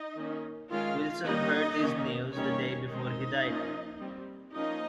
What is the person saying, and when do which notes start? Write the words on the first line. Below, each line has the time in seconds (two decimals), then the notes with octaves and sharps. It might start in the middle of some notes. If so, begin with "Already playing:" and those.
Wilson heard this news the day before he died.
Already playing: D#4 D#5
0.16 D#3 A#3 C#4
0.70 D#3 G#3 C#4 F4 F5
1.25 G3 A#3 C#4 D#4 D#5
1.80 D#3 A#3 C#4
2.35 D#3 G3 A#3 C#4 C#5
2.90 D#3 G#3 C4 D#4 D#5
3.44 F3 A#3 C#4
3.99 G3 C4
4.54 F3 A#3 C#4 D#4 D#5